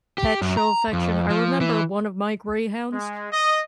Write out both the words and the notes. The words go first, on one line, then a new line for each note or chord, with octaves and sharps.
pets show affection, I remember one of my greyhounds
G4
F#2
A#5
F2
F3
E3
G#3
D#5